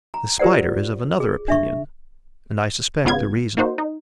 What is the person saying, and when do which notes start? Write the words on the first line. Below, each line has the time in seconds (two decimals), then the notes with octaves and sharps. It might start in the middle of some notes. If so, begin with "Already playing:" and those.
The Spider is of another opinion; and I suspect the reason.
0.14 A#5
0.39 F4 G4 A#4 C5 D5 F#5
1.20 G#4
1.48 D4 E5 C#6
3.04 G#1 C#2 B3 F4 G#6
3.57 A#3 D#4 F#4 C5
3.78 D#4